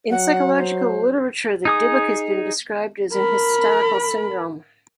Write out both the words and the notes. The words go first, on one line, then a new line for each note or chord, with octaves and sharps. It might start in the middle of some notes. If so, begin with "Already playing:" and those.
In psychological literature the Dybbuk has been described as an hysterical syndrome.
F#3 F#5
C5
D#4 G#4 D#6
A#4 B5